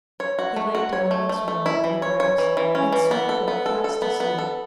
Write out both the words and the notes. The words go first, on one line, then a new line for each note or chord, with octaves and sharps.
He lay down once more on the grass and soon fell fast asleep.
C#5
F#4
A3
F#4
C#5
A3
A3
A3
E4
E3
C#5
C#5
E3
E3
C#4
E3
B3
A4
B3
A4
A4
B3
B3
A4